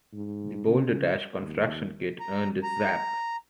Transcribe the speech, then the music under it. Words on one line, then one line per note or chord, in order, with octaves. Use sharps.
The Boulder Dash Construction Kit earned a Zzap!
G#2
C#3
D#2
A#5
A#5